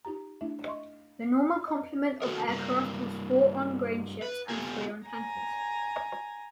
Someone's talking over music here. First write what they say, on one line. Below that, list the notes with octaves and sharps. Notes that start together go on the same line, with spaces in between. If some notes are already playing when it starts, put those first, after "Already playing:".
The normal complement of aircraft was four on grain ships and three on tankers.
D#4 F4 G4 A#5
A3 D4 E4 E5
D#5 E5 C6 C#6
D#5
A3 F#4 A4 A#4
G2 A#3
B4
A3 B3 F4 G4 G#5
G#5 A#5